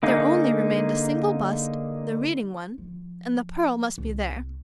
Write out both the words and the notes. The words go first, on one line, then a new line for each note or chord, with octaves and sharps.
There only remained a single bust--the Reading one--and the pearl must be there.
D3 A#3 D#4 G#4
F3
C2